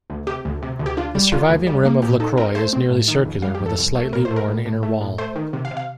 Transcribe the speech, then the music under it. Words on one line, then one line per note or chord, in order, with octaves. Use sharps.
The surviving rim of Lacroix is nearly circular, with a slightly worn inner wall.
D2
C3 G4
D2
C3
D2
G4
D4 F4
G3
D3 F4
D2
G3
A#3
A#2 G4
D#4 A4
C4 A#4
A3 C5
C4
A2
D#3
F2
G3 F5
G4
F2
A4
C2
A3
A#2 A#4
C5
A3
A#4
A2
A2
A3
A2
A3 C5
D#3
C3
F5
C3
F5